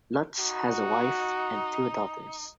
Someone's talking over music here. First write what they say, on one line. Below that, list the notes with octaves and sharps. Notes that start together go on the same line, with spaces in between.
Lutz has a wife and two daughters.
D#4 F#4